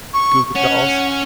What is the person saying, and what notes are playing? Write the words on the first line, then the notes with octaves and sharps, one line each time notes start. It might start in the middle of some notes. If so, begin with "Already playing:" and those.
Goo Goo dolls.
C#6
C#4 F#5